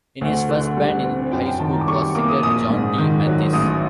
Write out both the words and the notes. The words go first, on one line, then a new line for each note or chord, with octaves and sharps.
In his first band in high school was singer Johnny Mathis.
D2
D3
G3
C4
F#2 G5
G5
D#3 A5
A#5
D6
G3 C#6
C#6
A#3 D6
D#6
A#1 D#6
G#2
D#3
F#3
A1 D#6